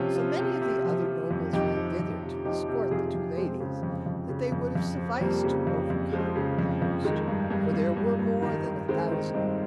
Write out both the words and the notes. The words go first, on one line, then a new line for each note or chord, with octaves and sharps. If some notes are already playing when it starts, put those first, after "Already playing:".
So many of the other nobles ran thither to escort the two ladies that they would have sufficed to overcome a host; for there were more than a thousand of them.
Already playing: C3 F3 C#4 F4
F3
C3
C3
F3
F3
F2
F2 D#4 G4
F3
F2
C3
F3 D#4 G4
C3
F2 F4 G#4
F2
F3 G#3 C4
C#3
F2
F2
C#3
F2
F2
F3
C4
F2 G3 A#3
C#3
F2
F2
F3 G#3
C#3
F2
F2
D#3 G#3
G2
G2
G2
G2
G2
D#3
G2
D#3 G#3 C4
D#3
G2 C4 D#4